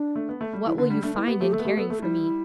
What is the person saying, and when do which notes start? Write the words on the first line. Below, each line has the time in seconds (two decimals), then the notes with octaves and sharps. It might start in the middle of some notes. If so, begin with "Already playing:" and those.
What will you find in caring for me?'
Already playing: D4
0.15 A3
0.29 B3
0.41 A3
0.53 G3
0.66 E3 E4
0.78 D3 B4
0.90 G3 D4
1.03 A3 D4
1.15 B3 E4
1.28 B3 G4
1.40 A3 G4
1.52 A3 A4
1.59 B3
1.65 A3 G4
1.77 B3 A4
1.90 A3 A4
2.02 G3 E4